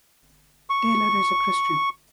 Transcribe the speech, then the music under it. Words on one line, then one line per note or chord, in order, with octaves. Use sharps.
Taylor is a Christian.
C#6